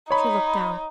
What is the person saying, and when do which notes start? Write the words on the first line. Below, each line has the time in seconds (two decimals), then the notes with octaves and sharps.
She looked down.
0.11 D#4 C#5 B5